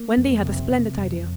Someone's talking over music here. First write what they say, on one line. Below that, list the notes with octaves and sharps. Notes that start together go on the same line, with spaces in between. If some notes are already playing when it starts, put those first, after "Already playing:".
Wendy had a splendid idea.
Already playing: A#3
F2
C3
C3
F2